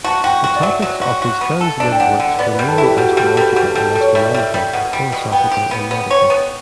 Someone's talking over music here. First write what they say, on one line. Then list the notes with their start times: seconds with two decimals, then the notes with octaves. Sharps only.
The topics of his translated works were mainly astrological and astronomical, philosophical and medical.
0.04 F#4 A5
0.24 F#4 G5
0.43 F#4 F#5
0.56 D5
0.63 F#3 E5
0.82 F#3
1.02 F#4
1.22 F#4
1.41 B3
1.61 A4
1.80 D4 D5
1.92 G5
2.00 D4 F#5
2.20 D3 F#5
2.39 B3 D5
2.54 B4
2.59 G3
2.68 A4
2.78 E4 G4
2.97 G3 F#4
3.12 G4
3.17 G3
3.26 A4
3.37 G3 B4
3.53 F#4
3.56 G3 G4
3.72 A4
3.75 G3
3.86 A4
3.95 G3
4.01 C#5
4.15 G3 E5
4.25 D5
4.34 G3 E5
4.54 G3
4.73 B2 F#5
4.93 G3
5.12 B2
5.32 B3 G5
5.51 G4
5.71 B3
5.91 B3
6.11 C#5
6.30 B3